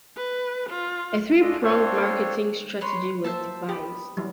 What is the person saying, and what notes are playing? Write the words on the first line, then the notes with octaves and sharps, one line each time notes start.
A three-pronged marketing strategy was devised.
B4
F4
G#3 A3 D4 F4 A4 D#5
C4 D4 F4 A4 C5 C#5
B4 C#5 C6
A#3 C5 E5 A5
B3 G4
E3 F#3 G3